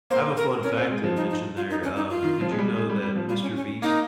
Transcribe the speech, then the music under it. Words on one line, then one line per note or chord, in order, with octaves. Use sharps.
I have a fun fact to mention there, um, did you know that MrBeast
A#3 C5
A#4
C#4 A#4
C4
G#3
F3
D#4
D#4
F4
D#4
C#4
D#4
F4
D#3
F3
G#3
G3
G#3
G3
G3
F3
G3 F4
C#4
C#4
A#3 D#4